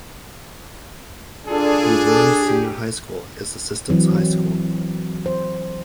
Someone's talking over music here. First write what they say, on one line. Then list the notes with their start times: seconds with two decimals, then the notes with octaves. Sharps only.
Luverne Senior High School is the system's high school.
1.47 D4 F4 G#4 A4
2.03 A4
2.44 G4
3.89 E3 F#3 C4
5.26 C5